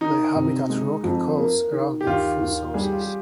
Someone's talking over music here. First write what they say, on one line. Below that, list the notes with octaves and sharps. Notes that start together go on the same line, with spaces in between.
They habitat rocky coasts around their food sources.
D#3 D#4
C3
G#3
F2
A#3
D#3
G4
D#2 F4
D#2
G3 G#4
G4
F4
G4